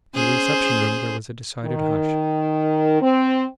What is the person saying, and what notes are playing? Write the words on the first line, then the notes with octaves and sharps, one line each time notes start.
In the reception room there was a decided hush.
C#4 G#4 C5
D#3
C4